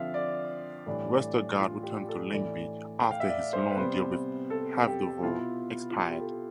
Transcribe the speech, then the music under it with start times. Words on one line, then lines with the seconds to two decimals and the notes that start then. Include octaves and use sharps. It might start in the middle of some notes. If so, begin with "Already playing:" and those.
Westergaard returned to Lyngby after his loan deal with Hvidovre expired.
Already playing: D3 F3 C4 E5 F5
0.14 D5
0.86 A2 E3 G3 D4
1.60 F4
1.83 G4
2.08 A4
2.33 A2 E3 A3 D4 D5
3.02 G5
3.11 F5
3.20 E5
3.29 D5
3.53 C5
3.71 B4
3.77 C3 G3 B3 C5
4.50 A4
4.87 G4
5.23 B2 B3 E4 F4
5.91 F4
5.96 G4
6.11 G4
6.20 A4